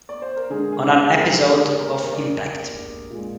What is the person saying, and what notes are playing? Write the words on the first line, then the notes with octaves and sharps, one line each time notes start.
On an episode of Impact!
D5
C5
A#4
D3 G#3 G#4
G#4
G#4
A#4
G4
G#4
A#4
D5
A#2 G#3